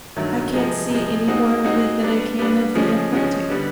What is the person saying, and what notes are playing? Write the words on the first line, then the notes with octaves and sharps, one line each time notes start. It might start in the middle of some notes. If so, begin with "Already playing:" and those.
"I can't see any more of it than I can of the Atlantic."
G2 D#3 F#3 A3
C3 F3 G#3
C3 F3 G#3
G#3 C4 D#4 F#4
G#3 C4 D#4 F#4
G3 B3 D4
G3 B3 D4
C#3 F3 G#3 C#4
C#3 F3 G#3 C#4
D3 G3 B3